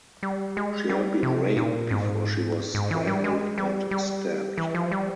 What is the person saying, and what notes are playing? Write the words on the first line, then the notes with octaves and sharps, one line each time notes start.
She had been raped before she was strangled and stabbed.
G3
G#3
G3
C3
A#2
G#2
G#2
E3
G3
G#3
G3
G3
E3
F3
G3